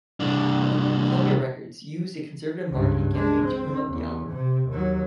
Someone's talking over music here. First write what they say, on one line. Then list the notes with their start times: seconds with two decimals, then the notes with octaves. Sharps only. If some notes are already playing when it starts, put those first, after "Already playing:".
Columbia Records used a conservative marketing campaign to promote the album.
0.20 C2 D4
2.71 C#2 G2
3.13 G#3 D4
3.43 C4
3.89 E2
4.29 C3
4.69 D#2 F#3